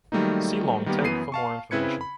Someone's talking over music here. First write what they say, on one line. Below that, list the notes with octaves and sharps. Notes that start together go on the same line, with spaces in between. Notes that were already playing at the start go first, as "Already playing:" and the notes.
See Long take for more information.
D#3 F#3 G3 A3 A#3 D#4
D#3 G3 A#3 B3 G4
F#2 E3 B3 C7 D#7
F5 A5 C#6
C#3 C4 E4 B4 G#6 C#7
B5